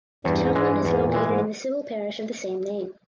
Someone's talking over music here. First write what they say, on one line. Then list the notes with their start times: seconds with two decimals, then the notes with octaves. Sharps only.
The townland is located in the civil parish of the same name.
0.25 E2 G2
0.39 G#2
0.55 G#2 E3 G#3
0.70 G2
0.85 E2 G#2
1.04 A#2
1.14 E3 G#3
1.25 G#2